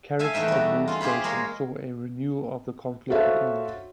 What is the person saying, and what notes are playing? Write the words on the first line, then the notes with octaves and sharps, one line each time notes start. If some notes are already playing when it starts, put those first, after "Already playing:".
Carrick's administration saw a renewal of the conflict with England.
A4 E5 F5 G#5
E2 A3 D#4 E5 G5
G3 F#4
C#4 F4
F4 G4 G#4 C5 B5
G#3 A#3 A#4 C#5
F#4 A4 C5 C#5 E5 F5